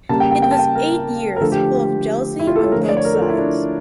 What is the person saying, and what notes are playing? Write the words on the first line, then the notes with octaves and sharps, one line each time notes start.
It was eight years full of jealousy on both sides.
C#3 G3 A#3 A5
G5
G5
G5
A5
G5
A#4
A#4
D3 F3 A3 A4
G4
E4
F4
A4
C#5
D3 F3 A3 A#4
C#5
D5
C#5
A#4
A4
F4
E4
D4